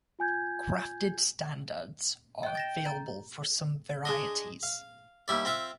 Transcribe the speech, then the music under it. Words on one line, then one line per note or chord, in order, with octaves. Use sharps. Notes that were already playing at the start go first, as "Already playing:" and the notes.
Grafted standards are available for some varieties.
F4 G#5 G6 G#6
D#5 G5 F#6
A6 A#6 E7
A#5 G6 A6
G#3 D4 D#5
F5
D#2 G3 E4 D5
C4 F4 E5 F5